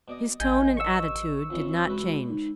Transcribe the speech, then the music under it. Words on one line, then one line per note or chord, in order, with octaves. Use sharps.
His tone and attitude did not change.
B2 D5 D#5
A1 A#4 D#5 E5 G#5 G6
C#6 E6
F2 E3 C#4 F4
C#2 E3 F#4 B4
D#4